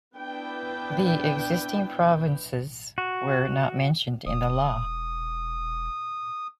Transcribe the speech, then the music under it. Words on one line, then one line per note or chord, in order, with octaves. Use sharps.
The existing provinces were not mentioned in the law.
B3 D4 E4 B4 G5
F#4
E1 D#6